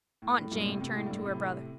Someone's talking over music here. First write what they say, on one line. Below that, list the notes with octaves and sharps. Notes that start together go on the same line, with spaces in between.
Aunt Jane turned to her brother.
A2
A2
G2 A#2
A2 C3
A2 C3
A2
G2
A2
A2 C3